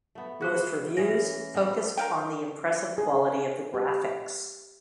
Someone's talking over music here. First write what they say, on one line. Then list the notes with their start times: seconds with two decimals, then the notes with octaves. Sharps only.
Most reviews focused on the impressive quality of the graphics.
0.15 A3 B3
0.41 F#4 G#4 B4 C5 F#6
0.97 E3 C#4 G#4 A#6
1.54 G#3 B3 C4
1.97 A#4 F5 G5
2.98 G#4
3.74 G4